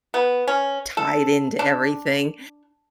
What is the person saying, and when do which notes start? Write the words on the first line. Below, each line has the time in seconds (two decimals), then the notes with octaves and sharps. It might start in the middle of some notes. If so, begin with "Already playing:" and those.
tied into everything.
0.14 B3
0.47 C#4
0.97 A4
1.59 D4